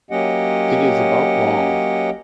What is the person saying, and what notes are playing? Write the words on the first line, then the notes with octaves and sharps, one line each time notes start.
It is about long.
F#3 A#3 C#4 G4 D#5 F#5